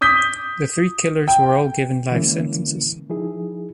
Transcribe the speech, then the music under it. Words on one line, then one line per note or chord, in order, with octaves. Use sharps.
The three killers were all given life sentences.
D6 D#6 G6 B6 G7
G5
D3 E3 G#3 A#3 C#4 E4
F3 D#4 E4 G#4